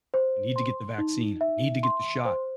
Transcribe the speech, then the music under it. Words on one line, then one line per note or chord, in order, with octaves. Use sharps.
I need to get the vaccine, I need to get the shot,
C5
C6
D#4
E5
C6
C5